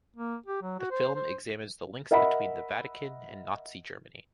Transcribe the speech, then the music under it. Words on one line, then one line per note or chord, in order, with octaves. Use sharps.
The film examines the links between the Vatican and Nazi Germany.
A#3
G4
F#3
F#4
C5
C5
A#4 D#5 E5 F#5 B5